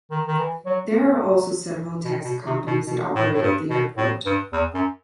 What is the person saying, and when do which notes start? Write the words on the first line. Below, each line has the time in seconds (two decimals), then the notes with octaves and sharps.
There are also several taxi companies that operate at the airport.
0.11 D#3
0.27 D#3
0.39 E3
0.66 F#3
2.04 B2
2.24 B2
2.46 C3
2.67 B2
2.87 B2
3.15 A2
3.34 A2
3.42 G2
3.70 B2
3.97 A2
4.26 G2
4.53 E2
4.74 F#2